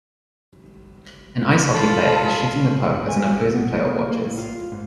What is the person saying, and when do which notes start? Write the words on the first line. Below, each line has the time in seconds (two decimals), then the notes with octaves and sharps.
An ice hockey player is shooting the puck as an opposing player watches.
1.72 F4 A4 B5
2.93 G#2
3.09 G#5
3.27 F#4
3.39 A4
3.54 B3
3.75 A#3
3.98 A#4
4.11 A#3
4.24 A2
4.38 F4
4.72 G#2